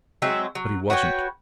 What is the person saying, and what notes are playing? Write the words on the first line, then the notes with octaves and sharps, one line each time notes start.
But he wasn't.
F#3 G#3 C4 E5
F#3
F#4 B4 C#5 G5